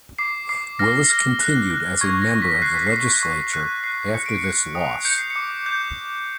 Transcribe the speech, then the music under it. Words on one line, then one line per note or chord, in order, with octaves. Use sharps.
Willis continued as a member of the legislature after this loss.
D6 C7
D6 C7
F6 A#6
F6
F#6
F#6
C#6 G#6
A#6
C#6
B6
F#6 C7
B6
C7
C#6
C#6
F#6
F#6 C7
F#6 C#7
D7
C#7
F#6
D#6
G6 C#7
C7
C#7
D6
G6